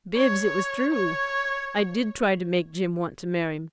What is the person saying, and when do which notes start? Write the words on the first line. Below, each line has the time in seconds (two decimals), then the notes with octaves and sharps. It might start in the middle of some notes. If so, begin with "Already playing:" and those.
Bibbs, it was true: I did try to make Jim want to marry me.
0.15 C#5
0.92 C#5